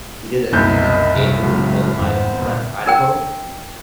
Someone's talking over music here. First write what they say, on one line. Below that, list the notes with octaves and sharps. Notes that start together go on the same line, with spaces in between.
he did a kinda gay movie called My Own Private Idaho
F#1 C2 B2 D#4 A#4 D#5 G6
A2 C3 G3 A3 F5
C#3 F#3 G#3
F2 G#2 D#3 B3 C5
D2 A#2
D4 A#4 G5